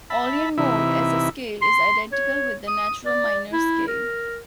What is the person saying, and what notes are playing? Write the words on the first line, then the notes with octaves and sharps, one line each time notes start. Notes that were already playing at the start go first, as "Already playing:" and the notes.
Aeolian mode as a scale is identical with the natural minor scale.
E5 A5 B5
C3 E3 D#4 E4 E5
C6
C#5
D#6
D5
E4
A#4